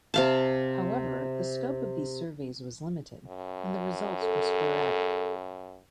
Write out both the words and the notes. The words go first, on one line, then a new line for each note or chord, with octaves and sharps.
However the scope of these surveys was limited and the results were sporadic.
C3 F5 A5
F#2
A4